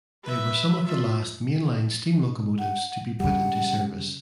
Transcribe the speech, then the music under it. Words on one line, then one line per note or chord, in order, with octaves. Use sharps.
They were some of the last mainline steam locomotives to be put into service.
B4 E5
F4 E5
F#5
C#3 G3 F#5